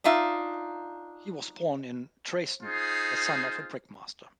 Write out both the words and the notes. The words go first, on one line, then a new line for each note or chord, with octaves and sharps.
He was born in Dresden, the son of a brickmaster.
D4 D#4 F4 E5
D#4 F4 G#4 C5